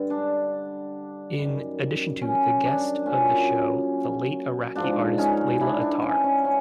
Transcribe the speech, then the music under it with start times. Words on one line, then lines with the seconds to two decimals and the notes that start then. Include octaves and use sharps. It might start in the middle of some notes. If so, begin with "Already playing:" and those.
In additionto the guest of the show, the late Iraqi artist Layla Attar.
Already playing: G2 D3 G3
0.10 D4
1.37 F#2 D#3 G3
2.21 C#4
2.64 D4
3.06 A#2 F#3 C#4
4.75 G#2 F3 D4
5.18 C#4 D#4
5.60 D4 E4
5.81 D4
6.02 C#4
6.24 C#4
6.45 C#4